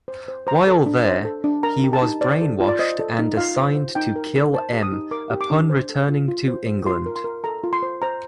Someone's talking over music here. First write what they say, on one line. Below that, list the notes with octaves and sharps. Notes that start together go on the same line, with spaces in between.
While there, he was brainwashed and assigned to kill M upon returning to England.
C5
C5
C5 A#5
A4
D4
C5
A4
D4
A#4 A#5
G4
A5
D#4
C5 D5
A4
F4
D5
C5 D#5
A4
D#4
F4 F5
C5
C5
D#4 G5
A#4
A#4
C5 A5
G4
D#6
D#4
A#4 D6
G4
D6
D4
C5
A4
F4
F4
C5
C5
F4 C6
A#4
C6
A#4
A4 A#5
F4
C6
C5
C5 A#5